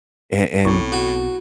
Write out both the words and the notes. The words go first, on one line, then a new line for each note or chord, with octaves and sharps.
and and,
B1 A2 B3 C4 E4 C#6 D6
F#4